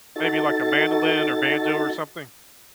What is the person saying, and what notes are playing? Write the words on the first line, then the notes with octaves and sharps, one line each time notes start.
maybe, like, a mandolin or banjo or something.
D#4 F#4 A4 A6